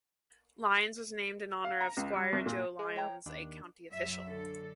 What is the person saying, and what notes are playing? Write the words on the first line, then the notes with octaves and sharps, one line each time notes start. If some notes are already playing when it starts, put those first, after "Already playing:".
Lyons was named in honor of Squire Joe Lyons, a county official.
F5
A#5
C#2
G3
C2
A#2
G#3
C#5 G5 A#5
D#2 D4
F#2 E5
D3 A4